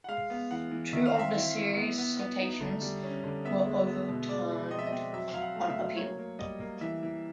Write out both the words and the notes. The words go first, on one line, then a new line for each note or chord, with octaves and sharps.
Two of the "serious" citations were overturned on appeal.
F#5
G#3 F5
B3
E3 F#5
E3
D#3 E5
F5
C4
E5
E4
E4
B3
B3
B3
D#4
D3
G3
C#4
D3
B3 E5
G#3
B3
B2
G#3 D5
F3
C4 D#5
E5
D#5
C4
F#3 E5
F#3 F5
F#5
A3
F5
E5
F#3
A#3 C#5
A#3
G3 D#5
A#3
E3 E5
E3